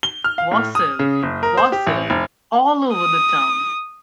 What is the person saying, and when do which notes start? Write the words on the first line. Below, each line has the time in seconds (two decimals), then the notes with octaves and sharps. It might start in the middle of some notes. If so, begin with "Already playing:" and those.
Wassail, wassail all over the town.
0.03 G7
0.24 F6
0.38 F5
0.51 A2
0.75 D#6
0.99 C#3
1.23 F#1
1.43 A#4
1.57 C5
1.72 G4
1.87 A1
2.10 F1
2.94 D#6